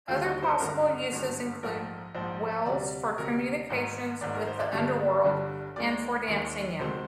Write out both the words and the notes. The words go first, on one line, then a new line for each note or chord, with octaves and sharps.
Other possible uses include wells, for communications with the underworld and for dancing in.
D#2 D3 G3 F4
D#4
C5
G#1 G2 D3 A#4
G#1 G2 D3
A#1 G#2 F3 A#4
A#1 G#2 F3 C5
D2 C3 G3 D5
D2 C3 G3 A#4
G#1 G#2 D#3
G#1 G#2 D#3 D5
A#4
C5
D5
G1 G2 D3 G3
G1 G2 D3 G3
D#2 D#3 G#3 D5
D#2 D#3 G#3
D2 C3 D#3 G#3 C5